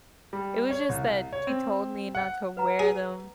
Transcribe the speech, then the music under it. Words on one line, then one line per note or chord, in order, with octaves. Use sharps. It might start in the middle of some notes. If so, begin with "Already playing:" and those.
It was just that she told me not to wear them
G3
C#5
C2
C#5
C4
F#5
B4 F#5 A#5
G#4